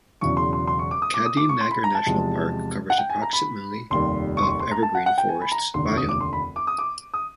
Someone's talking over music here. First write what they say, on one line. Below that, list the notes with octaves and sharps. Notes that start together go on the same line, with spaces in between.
Khadim Nagar National Park covers approximately of evergreen forests Biome.
E1 E2 C#3 F#3 C#6
C6
C6
C6
C#6
D6
D#6
D6
D#6
D6
C#6
C6
B5
A#5
A5
E2 C3 F3 G#3
F#5
G5
G#5
A#5
B5
F1 D#2 D#3 G3 C6
C#6
C6
C#6
C6
A#5
A5
F#5
F#5
G5
G#5
B5
A#5
F1 D#2 D3 C6
C#6
D#6
D6
C6
B5
D6
D#6
D6
D#6